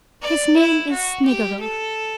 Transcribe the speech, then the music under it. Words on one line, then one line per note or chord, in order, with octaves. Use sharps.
His name is Snegiryov.
D5
E4
F#4
G4
A4